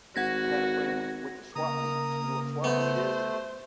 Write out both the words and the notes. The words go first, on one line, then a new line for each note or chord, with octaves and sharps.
I had a friend we went to swap meets. You know what swap meet is?
G#1 F#4 F#5 G#6 A#6
C#3 A#3 A#5 D#6
A3 B3 C5